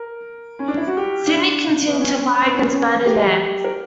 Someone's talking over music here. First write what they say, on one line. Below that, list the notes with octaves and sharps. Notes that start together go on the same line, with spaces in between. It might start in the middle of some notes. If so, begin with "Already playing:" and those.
"Sydney" continued to fire against "Bande Nere".
Already playing: A#4
C#4
D4
E4
F#4
G4
D4
B3
C#4
C#4
B3
C#4
B3
C#4
B3
G4
A#4